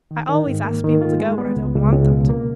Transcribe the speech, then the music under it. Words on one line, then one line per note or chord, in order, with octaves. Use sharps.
"I always ask people to go when I don't want them to."
D#3
D#3
G#2
A#3
D#3
F4
G#3
B3
C#2
C#2
C#2
B2
A#3